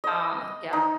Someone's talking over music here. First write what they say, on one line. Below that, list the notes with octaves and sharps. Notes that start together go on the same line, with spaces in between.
Ah. Yeah.
D#5
D#4